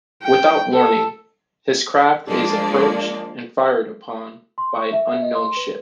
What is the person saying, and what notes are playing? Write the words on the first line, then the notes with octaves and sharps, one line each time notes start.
Without warning, his craft is approached and fired upon by an unknown ship.
G5
A4
F3 G#3 A#3 D4 D5
C6
C#6
E5
D#5
C6
B4